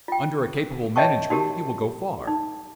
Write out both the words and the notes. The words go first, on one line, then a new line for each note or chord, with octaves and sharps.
Under a capable management he will go far.
F4 G5
C#5 D#5 E5 G5 A5 C#6
D#4 F#4 G4 A#4 A5
D#4